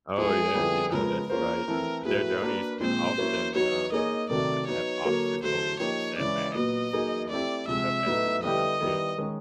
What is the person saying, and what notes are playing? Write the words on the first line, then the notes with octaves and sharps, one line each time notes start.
Oh, yeah, you know, that's right. And and their journeys can often, um, r have obstacles and setbacks and storms and stuff as they run out there.
F3 G#3 B3 E4 G#4 A4
D3 G3 B3 E4 G4
C#3 F3 G#3 B3 A#4
A#3 C#4 F4 G#4 A#4 C5
E3 A3 C4 E4 A4
A2 F#3 B3 E4 G#4 B4
A#3 D4 F#4 A#4
A#2 F3 G#3 C4 C5
F#3 A#3 C#4 E4
F#3 B3 D#4 F#4 B4 C#5
A#3 D#4 G#4 C#5 D#5
C3 D#3 F#3 A3 D5
F#3 B3 D#4 C#5
D3 F#3 A#3
D3 F#3 A3 C5
F3 A#3 D#4 G4 C#5
C#3 E3 G#3 C#4 D5
A#2 F#3 B3 D#5
F#3 A#3 D#4 G#4
A3 C4 E4 G4 D5
C3 F3 G#3 E5
A2 F#3 B3 D#4 F#4
D3 G3 B3 E4 G4 D#5
D#3 G3 B3 E4 G4
D#3 G#3 C#4